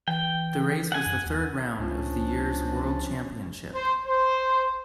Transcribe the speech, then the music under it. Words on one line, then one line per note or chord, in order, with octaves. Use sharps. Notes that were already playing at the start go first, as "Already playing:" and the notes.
The race was the third round of the year's World Championship.
E3 G5
F#5 G#5
F#2
D#2
C#2 F3 C#4 D4
C5
C5